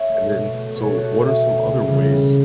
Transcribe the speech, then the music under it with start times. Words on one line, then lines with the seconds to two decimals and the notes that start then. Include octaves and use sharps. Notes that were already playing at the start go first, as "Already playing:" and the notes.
And, then, so what are some other ways,
Already playing: C#5 E5
0.09 A3
0.30 B2
0.54 A3
0.75 B2 A4 C#5
0.97 A3 F#4 A4
1.18 B2 E5 G5
1.42 A3
1.64 C#2
1.87 C#3 E3 G3
2.09 C#2